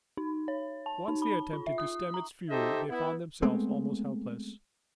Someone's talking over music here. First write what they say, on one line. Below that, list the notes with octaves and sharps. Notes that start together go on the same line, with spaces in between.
Once they attempted to stem its fury they found themselves almost helpless.
D#4
C#5
A5
D#4
B5
F4
E5
D#6
A#5
D#4 G4 A4 C5 D#5 E5
B3 E4
G#3 A3 B3 C4